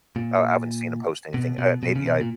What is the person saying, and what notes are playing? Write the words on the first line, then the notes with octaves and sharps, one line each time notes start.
uh, I haven't seen him post anything, uh, maybe I
A#2
B2
B2
B2
C#3
B2
A#2